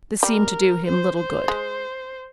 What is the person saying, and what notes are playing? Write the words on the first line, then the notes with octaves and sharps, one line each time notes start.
This seemed to do him little good.
G3 A#4
C5
C5
G#3